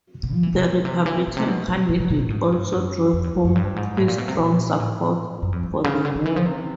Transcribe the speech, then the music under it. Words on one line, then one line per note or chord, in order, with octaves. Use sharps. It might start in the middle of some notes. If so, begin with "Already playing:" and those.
The Republican candidate also drove home his strong support for the war.
B2
F3
E3
C3
B2
C3
E3
C3
A#2
C3
B2
B2
B2
B2
B2
A2
G#2
G2
F#2
F2
E2
F2
F#2
G2
G#2
A2
A#2
B2
C3
A2
A#2
A2
F#2
F2
G2
C#3
D3
D#3
E3
F3
C3